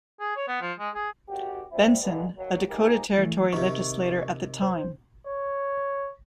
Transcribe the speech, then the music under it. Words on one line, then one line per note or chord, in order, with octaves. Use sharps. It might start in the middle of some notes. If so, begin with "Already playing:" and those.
Benson, a Dakota Territory legislator at the time.
G#4
C#5
B3
F3
G#3
G#4
G#1 F#4 G4
F3 G3 C4 E4
G2 A#2 D3 G#3 B3
D#2 F#3
F3 D#4 G4 G#4 A#4
E3 A3
C3 D#3 C#6
C5
C#5